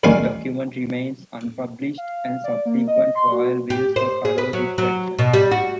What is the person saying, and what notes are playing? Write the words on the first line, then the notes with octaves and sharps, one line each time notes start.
The document remains unpublished, and subsequent royal wills have followed this tradition.
A1 D#2 D#3 G3 F5 G#5
F5
D5
A#3
D#5
C6
F#4
G4
C5
G#4
B4
F#3
F#3
B2
G3
F#4